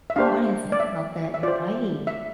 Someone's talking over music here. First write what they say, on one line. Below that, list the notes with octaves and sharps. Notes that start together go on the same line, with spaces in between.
Oh, I didn't think about that. You're right.
E5
D4 G4 C5 F5
D5
E5
E5
F4 C5 D5
E5